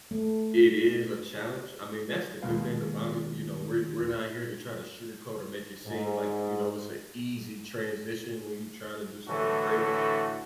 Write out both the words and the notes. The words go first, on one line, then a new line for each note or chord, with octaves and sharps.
it is a challenge, I mean, that's the good thing about it, you know, we're we're not here to try to sugarcoat or make it seem like, you know, it's a easy transition when you try to do something great,
A3
D#2 B2 G#3 A#3 B4 F5
G#2
A2 D3 E3 F#4 A4